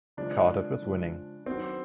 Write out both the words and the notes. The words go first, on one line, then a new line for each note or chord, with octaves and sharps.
Cardiff is winning.
C#3 F3 G#3 D4
C#3 F3 G#3
D#3 F#3 B3 C4 D4 F#4